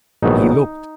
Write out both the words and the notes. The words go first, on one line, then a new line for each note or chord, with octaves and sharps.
He looked.
A#1 G#2 D#3 F#3 B3 D#4